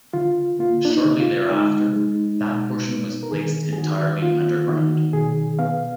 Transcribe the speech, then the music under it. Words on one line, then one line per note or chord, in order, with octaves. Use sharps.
Shortly thereafter, that portion was placed entirely underground.
D3 F4
A#3 F4
D4
D#4
D3
F4
G#3 D#4
G#3
B2
B3
A#4
D#3 G#4
G#4
D#3 F#4
A#3 F4
D#3 F#4
B2 G#4
B3 F5